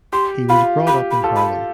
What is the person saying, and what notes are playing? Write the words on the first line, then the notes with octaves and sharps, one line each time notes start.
He was brought up in Harlem.
G4 C6
F4 B5
G4 B5
B5
F4 A4
B5